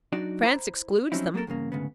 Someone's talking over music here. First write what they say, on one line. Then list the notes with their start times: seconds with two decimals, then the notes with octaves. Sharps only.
France excludes them.
0.13 F#3 D4 D#4 F#4 D5
0.43 E4 C5 A#5
1.12 F3 F#3 C4 C#4 D#4 E4
1.34 F#3 A#3 B3 A4 A#4
1.47 E2 G2 C#3 A#3
1.72 D2 G#2 C#3 B3